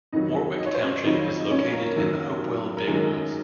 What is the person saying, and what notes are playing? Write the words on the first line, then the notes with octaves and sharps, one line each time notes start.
Warwick Township is located in the Hopewell Big Woods.
F2 D#3 F#3 D#4 D#5
D#5
C#5
C5
C#4 C#5
F2 D#3 F#3 D#4 D#5
D#5
C#4 C#5
A#3 A#4
F#2 D#3 F#3
A#4
F#2 D#3 F#3 G#3 G#4